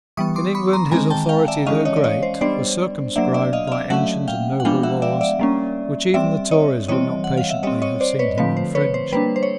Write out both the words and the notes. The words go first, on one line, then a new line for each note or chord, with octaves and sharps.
In England his authority, though great, was circumscribed by ancient and noble laws which even the Tories would not patiently have seen him infringe.
E3 G3 B3 C#6 D#6
C6 D6
B5 C#6
A#5 C6
D#3 G#3 C4 G#5 A#5
G5 A5
F5 G5
D5 E5
E3 G#3 C#4 D#5 F5
C#5 D#5
D5
C#5 D#5
C5
G3 B3 D4 C5 D5
F#3 A#3 D4 D5 E5
D5 E5
D#5 F5
F5
D5 E5
F#3 A3 C#4 E5 F#5
F5 G5
F#5
F3 G#3 B3 D4 F5 G5
E5 F#5
D5 E5
D5 E5
G3 A#3 C#4
G3 C4 D5 E5
C#5 D#5
E3 G3 C4 C#5 D#5
F#5
F5
E5
G3 C4 C#5 D#5
C#5 D#5
C5 D5
B4 C#5
D3 F3 A3 C4 B4
C5
B4 C#5
C5
G3 A#3 D4 B4
C5
C#5